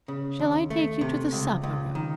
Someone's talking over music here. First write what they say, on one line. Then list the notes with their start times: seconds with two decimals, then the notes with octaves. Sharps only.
Shall I take you to the supper-room?'
0.08 C#3
0.39 D#2
0.70 A3
1.01 C3
1.33 C#2
1.63 C#2
1.95 D#3